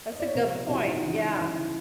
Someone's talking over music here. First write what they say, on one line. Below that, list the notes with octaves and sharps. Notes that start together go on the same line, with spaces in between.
that's a good point, yeah,
D#5
D5
C#5
C3 F3 A#4 C5
C3 F3 E4 F#4
D#4 F4
C#3 E3
C#3 E3 E4